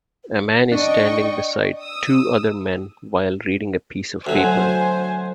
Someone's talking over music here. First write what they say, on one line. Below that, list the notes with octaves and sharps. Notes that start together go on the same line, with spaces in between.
A man is standing beside two other men while reading a piece of paper.
D4 D#5 G5 C#6
D#6 E6
D2 F#3 C5 G#5